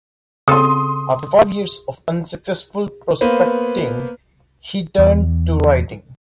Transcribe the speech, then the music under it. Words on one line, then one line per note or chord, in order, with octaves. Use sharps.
After five years of unsuccessful prospecting, he turned to writing.
C#3 C4 A4 C6 D#6
A#3 B3 B4 C5
E2